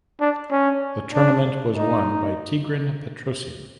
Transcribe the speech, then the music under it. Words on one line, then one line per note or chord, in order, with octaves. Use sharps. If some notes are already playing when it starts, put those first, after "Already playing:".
The tournament was won by Tigran Petrosian.
D4
C#4
D4
D#4